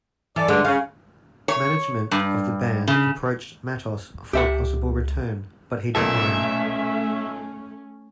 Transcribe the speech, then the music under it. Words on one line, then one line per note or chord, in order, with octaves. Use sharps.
Management of the band approached Matos for a possible return, but he declined.
E3 A4 D5
G2 D3 G#3
C#3 F5
C#5
G2
C#3
C#2 G4 E5 F#5
B1 A#2 A3 C#4 A4 E5